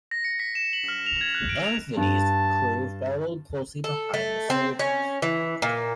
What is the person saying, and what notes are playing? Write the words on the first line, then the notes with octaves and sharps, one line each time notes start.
"Anthony"s crew followed closely behind the soldiers.
A#6
C#7
B6
E7
F#7
F6
F7
G#6
F#6
D7
F7
G2 A5
A4
A3
C4
C#4
E3
A#2